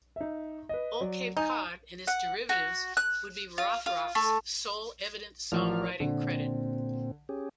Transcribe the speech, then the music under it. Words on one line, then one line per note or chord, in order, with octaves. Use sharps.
"Old Cape Cod" and its derivatives would be Rothrock's sole evident songwriting credit.
D#4 E5
B4 D#5
F#3 D5
D#4 G#5 D#6 G6
F#5
F#4
F#6
F4
F4
A3
A1 F3 A#4 D5 F6
A#2 D3 C4
C#4 G4 G#4